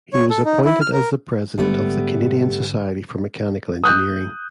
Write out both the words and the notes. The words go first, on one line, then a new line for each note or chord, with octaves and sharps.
He was appointed as the President of the Canadian Society for Mechanical Engineering.
C#5
A4
D#4
E4
F6
A#4
G#1 G#2 D3 G3 A3 B3
D#6 F#6 G6